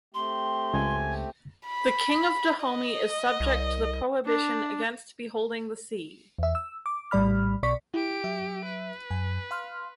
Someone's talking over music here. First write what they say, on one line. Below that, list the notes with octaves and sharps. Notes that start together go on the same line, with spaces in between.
The king of Dahomey is subject to the prohibition against beholding the sea.
A3 C4 G4 C6
C#2 G#5
B5
D#5
C2
D4
E2 E5
E6
D6
A#1 A2 G3 D5 B5 F6
B1 B2 D5 C#6 B6
E4 G4 D7
F#3 E5
B4
F#2 G#5
F5 C6 F6